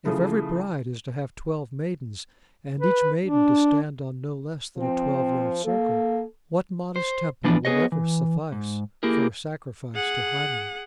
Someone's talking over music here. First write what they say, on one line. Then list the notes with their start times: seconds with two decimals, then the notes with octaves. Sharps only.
If every bride is to have twelve maidens, and each maiden to stand on no less than a twelve-yard circle, what modest temple will ever suffice for a sacrifice to Hymen?
0.05 C#3 E3 F3 A3
2.81 B4
3.26 D4
4.77 F3 C4
5.65 A#3 A4
6.96 C5
7.44 E3 F3 B3 D4
7.65 B3 G#4 B4 C#5 D#5
7.92 E3
8.52 G#2
9.03 A#3 E4 G4 G#4 A#4
9.95 G#4 F#5